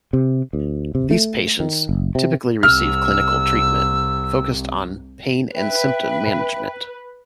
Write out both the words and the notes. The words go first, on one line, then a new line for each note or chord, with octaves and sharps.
These patients typically receive clinical treatment focused on pain and symptom management.
C3
D2
C3
A3
D#3
F#1
C3
C2 C3 E6 F6
B4 E5 G5